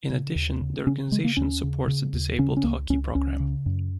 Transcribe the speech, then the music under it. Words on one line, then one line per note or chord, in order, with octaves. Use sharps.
In addition, the organization supports a disabled hockey program.
C#3
D#2
C#3
C#3 C#4
C#3 G#3
A#3
D#2 C#4
C#3
C#3
D#2
C#3 C#4
C#4
C#2 A#3
C#2 C#4
C#2 C#4
C#3
F#2